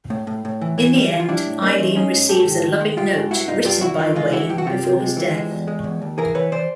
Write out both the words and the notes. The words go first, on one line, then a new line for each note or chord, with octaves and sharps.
In the end, Eileen receives a loving note written by Wayne before his death.
A2
A2
A2
E3
E3
G3
E3
F4
G3 D4 E4
A2
A#3 C#4 D#4
E3
G#3 C#4 D#4
G#2
G#2 G4 A4
D#3
D#3
G#3
G#3 F4 G4
G#2
G2 E4 F#4
G2 D#4 F4
G2 F4 G4
G2 E4 F#4
E3 D#4 F4
G#3 D#4 F4
E3 E4 F#4
G2 G4
F#4
C3 F4 G4
C3
G#3
E3
G#3
E2
G#3
E2
D#2
E3 G#4 A#4
E3 B4 C#5
E3 C5 D5